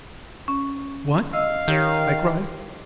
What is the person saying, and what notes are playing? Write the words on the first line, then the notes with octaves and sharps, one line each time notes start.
"What!" I cried.
C#4
D#5 F5 E6
D#3 G4 A#4 C#5